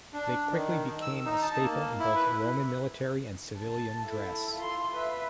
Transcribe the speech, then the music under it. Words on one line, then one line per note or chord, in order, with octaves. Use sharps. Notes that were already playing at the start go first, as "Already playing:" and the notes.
They quickly became a staple in both Roman military and civilian dress.
D4
D#3
E6
D#4
A5
A#3
E4
B4
A5
E4 A4
F4 C6
B4 E5